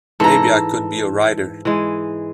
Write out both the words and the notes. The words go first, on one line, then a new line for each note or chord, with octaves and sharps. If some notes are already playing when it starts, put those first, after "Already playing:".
Maybe I could be a writer.
G#2 E3 A4 A#5
E3 G#3